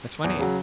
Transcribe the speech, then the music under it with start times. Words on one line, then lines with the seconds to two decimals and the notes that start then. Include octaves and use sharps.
That's my name.
0.24 E2
0.39 C#3 F#3